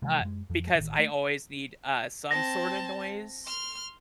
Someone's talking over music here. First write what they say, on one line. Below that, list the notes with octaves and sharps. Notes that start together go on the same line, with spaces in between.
uh, because I always need, uh, some sorta noise.
C3 E3 F3 G#3
F#2 G#3
F2 F3
A1 D#3
A3
C4 A5 A#6
C6 F6